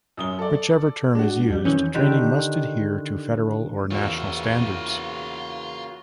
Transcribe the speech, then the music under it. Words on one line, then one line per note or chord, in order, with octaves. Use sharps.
Whichever term is used, training must adhere to federal or national standards.
F#2 D#6 G7
A4 D5
G#3 D4 F#4
F2 G3
D#3 E3 C#4 G6
D3 D#3 G4
E2 C#3 A#3 F4 F#4 E5